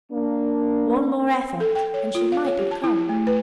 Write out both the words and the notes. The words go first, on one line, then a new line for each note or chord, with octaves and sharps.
One more effort, and she might have come.
A#3 D4
A4
G5
C#5
F4
F5
C#5
G4
A5
E4
A3
B4